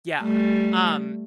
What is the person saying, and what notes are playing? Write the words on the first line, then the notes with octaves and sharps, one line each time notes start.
Yeah. Um,
G3 A3